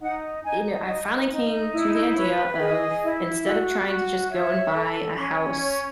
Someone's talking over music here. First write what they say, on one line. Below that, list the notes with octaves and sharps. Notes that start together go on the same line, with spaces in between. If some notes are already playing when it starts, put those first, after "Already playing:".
you know, I finally came to the idea of, instead of trying to just go and buy a house
D#4 F#5
D#4 G#5
D#4 D#5
D#4
E4 D#5
B4 C#5
G#4 D#5
E4
F#4
F#4
C#5 E5
A4
C#4
C#5